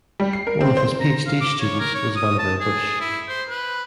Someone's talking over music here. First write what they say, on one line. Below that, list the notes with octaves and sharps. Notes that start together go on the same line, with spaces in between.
One of his PhD students was Vannevar Bush.
G3
C7
A#4
C4
C5
A#5
F5
D6
C#5
A#4
C#5
D#6
A5
G#4
E4
C5
B4